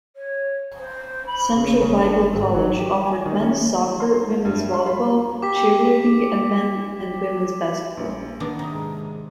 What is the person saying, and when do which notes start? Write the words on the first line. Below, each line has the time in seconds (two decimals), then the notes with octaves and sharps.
Central Bible College offered men's soccer, women's volleyball, cheerleading, and men and women's basketball.
0.16 C#5
0.78 C5
1.27 B5
1.57 C#3
1.82 C#3
2.01 D4
2.35 G#1
2.54 F#3
2.80 G4
3.06 G#5
3.26 D#3
3.43 C#4
3.73 C5
3.87 E3
4.00 C6
4.27 F3
4.45 G2
4.59 E5
4.74 C6
4.87 B5
5.05 F4
5.42 G4 D6 B6
7.97 A#1
8.40 D#3 B3 D4
8.59 C3 A#5 D6 D#6
8.72 G#2